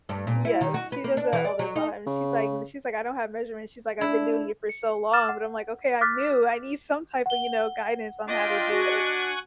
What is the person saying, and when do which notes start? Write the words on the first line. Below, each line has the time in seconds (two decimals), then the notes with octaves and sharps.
Yes, she does it all the time, she's like m she's like, "I don't have measurements." She's like, "I've been doing it for so long." But I'm like, "Okay, I'm new. I need some type of, you know, guidance on how to do it."
0.09 G2
0.27 A#2
0.45 E4
0.61 D#3
0.74 F#4
0.92 B4
1.04 A#3
1.17 D4
1.33 E3
1.44 D5
1.59 F#3
1.76 D#4
2.07 C#3
4.01 D4 E4
4.69 C#7
5.13 D6 F6 A6 E7
5.29 F#5
6.01 D6 F6 F#6 A6 B6
7.26 F#5 G7
8.28 D4 F4 D#5 G5
8.72 F#4 F#5 G#5 C#6 A#6